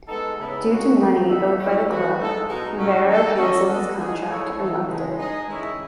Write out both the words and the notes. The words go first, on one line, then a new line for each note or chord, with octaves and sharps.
Due to money owed by the club, Rivero cancelled his contract and left it.
G#3 B3 D#4 A4
C#3 G#3 B3 E4
C#3 G#3 B3 F#4
D#3 F#3 A3 D#4
B3 F#4 A4 E5
A2 F#3 C#4 E4
E3 B3 F#4 B4
G#3 D#4 A4
B2 G#3 D#4
A2 F#3 A3 C#4
D#3 A3 D#4 A4
F#3 C#4 F#4 A4 D#5
B3 F#4 A4
G#3 D#4 G#4
A3 E4 A4 C#5
E3 A3 D#4 A4
C#3 E3 G#3
G#3 D#4 G#4 D#5
D#3 G#3 C#4 E4